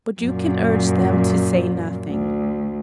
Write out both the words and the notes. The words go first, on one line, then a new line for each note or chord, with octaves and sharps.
'But you can urge them to say nothing.
F#2 A#2
D2